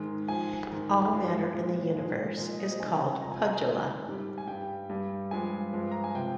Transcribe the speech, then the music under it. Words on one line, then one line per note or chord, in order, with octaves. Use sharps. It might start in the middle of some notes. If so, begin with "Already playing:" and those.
All matter in the universe is called Pudgala.
Already playing: G#2 D#3 G#3
G#2 F3 G#3 G#5
G#2 D#3 G#3
G2 F3 G#3
A#2 F3 G#3
G#2 F3 G#3
A#2 F3 G#3 A#4
D#5
D#5
C5
C3 D#3 G3 G#5
F2 C3 F3 G#3 A#5
G#5
A#5
G#5
C3 D#3 G#3
G#2 G3
G#5
G2 G3 G5
G2 G3
G2 F3 G#3 G#5
G2 F3 G#3
A#5
G#5
C3 F3 G#3 G5